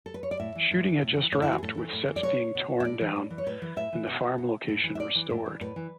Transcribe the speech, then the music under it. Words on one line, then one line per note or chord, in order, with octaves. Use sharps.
Shooting had just wrapped with sets being torn down and the farm location restored.
A4
B4
C#5
D5
A2 E5
E3
A2
E3
A2
E3
A2 C#5
E3 E4
F#4
G#4
A2 A4
E3
A2
E3
D5
B2 C#5
B2
E5
A2 D5
E3
A2
E3
C#5
A2 B4
E3
A2 E5
E3
B2
B2
A2
E3
E5
A2 D5
E3
A2
E3
A2 B4
E3